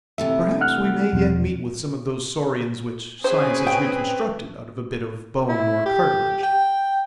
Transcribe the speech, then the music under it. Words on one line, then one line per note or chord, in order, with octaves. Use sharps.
Perhaps we may yet meet with some of those saurians which science has reconstructed out of a bit of bone or cartilage.
C3 E3 A3 E5
F#5 F6 F#6
E1 F3 C4
C4 C#4 G#4 B4 C5
G5
E4
G4
G5